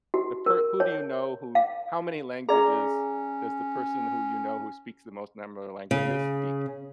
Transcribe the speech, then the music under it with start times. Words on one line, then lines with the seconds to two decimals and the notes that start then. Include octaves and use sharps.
the per who do you know who how many languages does the person who you know who speaks the most number of languages speak?
0.14 F#4
0.46 A#4
0.80 C#5
1.55 F5
2.49 C#4 G#4 D5 A#5
5.91 C#3